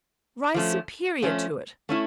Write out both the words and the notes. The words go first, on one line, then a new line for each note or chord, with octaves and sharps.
Rise superior to it.
F3 A3 C#4
F3 A3 C#4
A3 C#4 E4